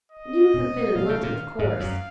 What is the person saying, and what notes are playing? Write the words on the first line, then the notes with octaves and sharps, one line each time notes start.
You have been in London, of course.'
D#5
B2
B2 F5
C#3
A#2
F5
G#2
F#2